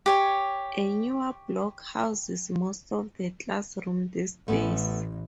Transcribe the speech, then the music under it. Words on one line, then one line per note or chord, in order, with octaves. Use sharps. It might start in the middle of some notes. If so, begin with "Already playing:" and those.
A Newer block houses most of the class rooms these days.
G4 C#5 G#5
A1 A3 B3 C#4